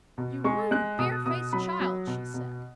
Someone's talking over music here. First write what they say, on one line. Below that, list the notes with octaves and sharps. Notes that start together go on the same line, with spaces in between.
'You rude, barefaced child!' she said.
B2
G#3 C#6
G#3 F#6
B2 D#6
B2 D#6
F#3 B5
F#3
B2
B2